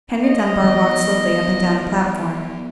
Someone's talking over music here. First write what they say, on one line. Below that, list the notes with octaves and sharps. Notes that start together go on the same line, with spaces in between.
Henry Dunbar walked slowly up and down the platform.
D#5
F3 B3